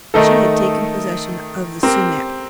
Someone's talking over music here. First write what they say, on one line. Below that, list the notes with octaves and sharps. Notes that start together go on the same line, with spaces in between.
She had taken possession of the sumac.
D#3 A3 D#4 A4
C4 G4 A#4